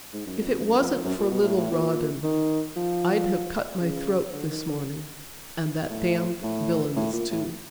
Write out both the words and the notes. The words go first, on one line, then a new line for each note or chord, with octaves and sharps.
"If it wasn't for little Rawdon I'd have cut my throat this morning--and that damned villain's too."
G#2
F#2
F2
F2
F#2
F2
F2
F#2
A#2
B2
A2
A2
A#2
D#3
F3
C#3
D3
D#3
D3
A2
A2
A2
A#2
A2